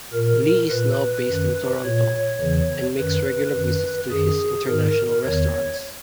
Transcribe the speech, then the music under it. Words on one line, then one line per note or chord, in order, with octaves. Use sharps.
Lee is now based in Toronto, and makes regular visits to his international restaurants.
A#2 A#4
A#2 B4
F#2 D#3
A#2 C#5
E2 C#3 E3
F#2 D#3 B4
F#2 D#3
F#2 D#3 G#4
G#2 D#3 A#4
E2 D#3 C#5